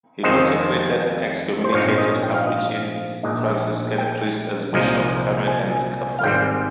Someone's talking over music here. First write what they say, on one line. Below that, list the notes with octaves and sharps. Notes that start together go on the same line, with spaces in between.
He consecrated an excommunicated Capuchin Franciscan priest as bishop: Carmel Henry Carfora.
F2 D#3 G#3 C4 D#4 C5
C5
A#1 G#2 F3 C4 D#4 C#5
D#5
G5
F5
D#5
F5
A#1 A#2 G#3 D#4
G5
C2 A#2 F3 G#3 D#4
G#5
F5
G#1 G#2 G3 C4 G5